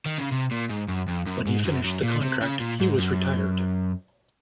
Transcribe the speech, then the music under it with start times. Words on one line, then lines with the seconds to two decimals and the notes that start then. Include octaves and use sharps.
When he finished the contract he was retired.
0.06 D#3
0.19 C#3
0.32 C3
0.52 A#2
0.70 G#2
0.88 F#2
1.08 F2
1.26 F#2
1.47 G#2
1.65 F#2
1.84 F#2
2.03 A#2
2.21 C3
2.42 C#3
2.60 A#2
2.80 G#2
2.98 F#2